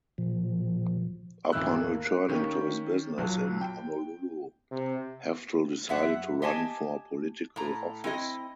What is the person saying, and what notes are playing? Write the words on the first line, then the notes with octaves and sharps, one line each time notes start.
Upon returning to his business in Honolulu, Heftel decided to run for political office.
A#2 F3
D#1 G#1 D#3 E4 E6 F#6
A#3
D#3 A#3 C#4 G4
B1 A#2 F#3
G5
C3
F#2 E5 F#5
G4 D#5 G#5 A5
A2 A#5
C4 E4 D#5